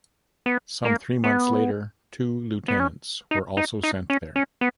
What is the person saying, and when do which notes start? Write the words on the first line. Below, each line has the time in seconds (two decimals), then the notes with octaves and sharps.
Some three months later, two lieutenants were also sent there.
0.46 B3
0.85 A#3
1.24 B3
2.68 B3
2.80 C#4
3.31 D#4
3.57 D#4
3.83 D#4
4.10 C#4
4.36 C#4
4.61 B3